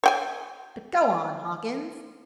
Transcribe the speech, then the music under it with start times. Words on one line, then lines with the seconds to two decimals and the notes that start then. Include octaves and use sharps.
"But go on, Hawkins."
0.04 C#5 G5 G#5